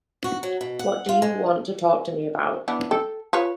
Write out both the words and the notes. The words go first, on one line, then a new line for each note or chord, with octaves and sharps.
What do you want to talk to me about?
F#4
F#3
B2
F#5
F4
G#3
E3 B3 D4
A4 G5
F4 B4 C#5